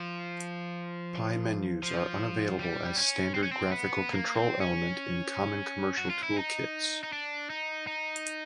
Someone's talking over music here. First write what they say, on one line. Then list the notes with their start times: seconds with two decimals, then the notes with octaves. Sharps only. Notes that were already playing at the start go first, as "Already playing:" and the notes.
Pie menus are unavailable as standard graphical control element in common commercial toolkits.
Already playing: F3
1.83 F3
2.59 G3
2.97 C#4
3.34 C4
3.43 C#4
3.52 C4
3.72 B3
4.10 A#3
4.34 C4
4.61 C#4
5.98 F#4
6.10 F4
6.23 E4
6.37 D#4
7.03 D#4
7.13 D4
7.50 D#4
7.87 D#4